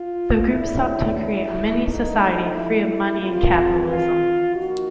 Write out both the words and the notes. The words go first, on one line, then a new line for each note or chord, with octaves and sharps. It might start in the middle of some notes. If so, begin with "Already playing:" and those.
The group sought to create a mini-society free of money and capitalism.
Already playing: F4
C#3 F#3 B3 D4 E4
E4
F3 A3 D4 D#4
E4
D#3 G#3 C4 F4
F4
F3 A#3 D#4 F#4